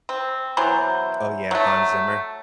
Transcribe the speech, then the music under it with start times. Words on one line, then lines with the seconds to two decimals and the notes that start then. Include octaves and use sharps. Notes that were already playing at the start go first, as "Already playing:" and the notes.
Oh, yeah, Hans Zimmer.
0.09 C4
0.57 B2 E3 F#3 C5
1.51 F#3 A3